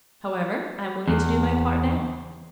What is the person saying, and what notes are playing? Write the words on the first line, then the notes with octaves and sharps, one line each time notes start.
However, I am willing to do my part now.
E2